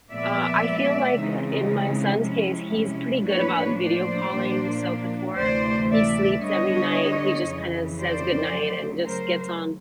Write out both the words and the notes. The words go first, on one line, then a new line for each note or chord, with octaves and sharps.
uh, I feel like, uh, in my son's case, he's pretty good about video calling, so before he sleeps every night, he just kinda says goodnight and just gets on
A#2 F3 G#3 B3 D5 E5
C#3 E3 G#3 C4 D#4
C3 F3 G#3 C#4 E4
A2 F3 A#3 D4 B4 C#5
C5 D5
A#2 F3 A#3 D4
D2 C3 E3 A3 C5 D5
D5 E5
D3 G3 B3 D4 C#5 D#5
F2 C#3 E3
C5 D5
C#3 F#3 A3
A#4 C5